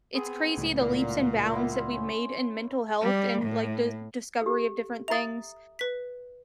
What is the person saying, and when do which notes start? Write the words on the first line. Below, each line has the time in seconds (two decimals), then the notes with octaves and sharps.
it's crazy the leaps and bounds that we've made in mental health, and like the discovery of different things.
0.15 B3 C4 G#4 B4
0.58 C#2 A2
0.80 A#2 F#5
1.52 B3 E4 C5
1.93 C#4 C5
3.03 G3
3.43 A2
4.42 G4 A4
5.08 E5 A#5 D#6 A6 F7
5.79 B4 B6